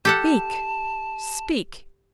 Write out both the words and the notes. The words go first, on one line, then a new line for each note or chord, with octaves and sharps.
Speak, speak!
G4 A4 F#5 A5